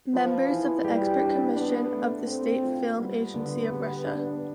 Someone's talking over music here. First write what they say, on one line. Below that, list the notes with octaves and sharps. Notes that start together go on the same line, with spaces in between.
Member of the expert commission of the State Film Agency of Russia.
F3 B3
E3
G3 G4
D4
B3 D4
A3
C4 A4
F4
G3 B3
D3
G4
D4